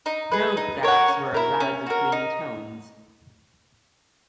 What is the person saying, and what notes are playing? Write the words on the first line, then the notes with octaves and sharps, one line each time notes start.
No gaps were allowed between tones.
D#4
G#4 B4
D#4
A#4 C#5 F#5
C#4
E4 A#4
C#4
F#4 A#4
D#4